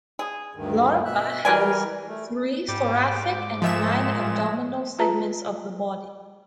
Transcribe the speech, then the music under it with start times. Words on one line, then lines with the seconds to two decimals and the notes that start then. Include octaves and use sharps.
Larva has three thoracic and nine abdominal segments of the body.
0.19 G#4
0.55 D2 G2 D#3
1.05 B2 E5 F#6
1.45 E3 G3 F#4 A#4 D5 G#5
2.08 A3
2.68 G#2 G3 D6
3.62 A#2 F3 G#3 E5 E7
4.14 A2
4.99 F4 G#4 B4 A5 A#5